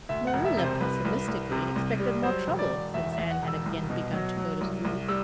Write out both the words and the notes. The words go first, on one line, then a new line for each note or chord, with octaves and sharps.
Marilla pessimistically expected more trouble since Anne had again begun to go to school.
D2 E5
F#5
E1
E5
C3
C5
C2 B4
C2
C2
C3
C2
G3
F#3 C5
E1
D5
E1
E2 E5
E5
E2
F#5
E1
E6
C2
B2
F#3
F#3
C2
C2
G3 E6